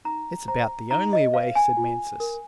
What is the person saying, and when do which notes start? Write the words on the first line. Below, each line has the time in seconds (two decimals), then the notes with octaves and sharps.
"It's about the only way," said Mansus.
0.05 D#4 A#5
0.48 C5 A#5
0.91 D#4 A#5
1.13 D#5
1.34 C5 F5
1.55 G#5
1.77 F4
2.20 A#4